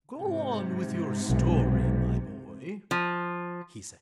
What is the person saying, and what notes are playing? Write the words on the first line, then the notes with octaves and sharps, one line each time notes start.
"Go on with your story, my boy," he said.
G#2 C3
B1
F3